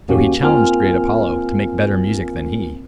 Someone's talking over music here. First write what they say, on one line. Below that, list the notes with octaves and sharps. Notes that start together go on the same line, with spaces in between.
So he challenged great Apollo to make better music than he.
E2 A#3 C#4 F#4 G4
A#3 C4 F4 A#4 G#5 F6